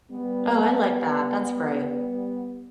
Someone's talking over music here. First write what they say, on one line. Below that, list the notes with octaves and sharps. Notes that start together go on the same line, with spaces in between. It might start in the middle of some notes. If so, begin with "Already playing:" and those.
Oh, I like that, that's great.
G3 B3